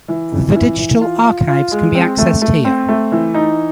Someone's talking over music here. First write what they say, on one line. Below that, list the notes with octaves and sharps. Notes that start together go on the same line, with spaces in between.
The digital archives can be accessed here.
E3
F2
E3
E3
F4
F4
F4
G#3
C4
A3
A3
C4
A3
E3
D#4